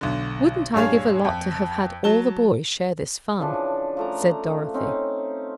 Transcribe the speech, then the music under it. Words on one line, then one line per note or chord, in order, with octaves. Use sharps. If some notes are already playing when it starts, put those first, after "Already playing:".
"Wouldn't I give a lot to have had all the boys share this fun," said Dorothy.
B1 D3
A#1 G2 G#4 C#5 F5
F2
F#3 A5 G7
C#3 E3 F3 D4
F3 A3 A#5
C4 C#4 D#4